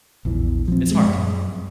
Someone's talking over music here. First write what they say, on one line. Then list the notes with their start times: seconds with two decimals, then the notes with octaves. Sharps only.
it's hard.
0.25 A#1 E2 E3
0.68 F3 C4
0.91 A#2 F3 G3 G#3
1.05 F#2